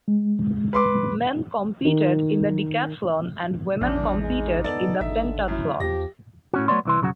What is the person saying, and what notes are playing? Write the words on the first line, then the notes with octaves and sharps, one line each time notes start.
Men competed in the decathlon and women competed in the pentathlon.
G#3
B4 C6 D6
D#3
A1 E2 D4
G#3 D#4
B3 A4 D5
G#1 D3 E5
F#2 E4
E2 F3 G4 A#6
A2 C#4 F#4
F#3 A3 B3 C#5 D5 C6
C2 E3 C6
B1 F2 C#3 F#3 F#4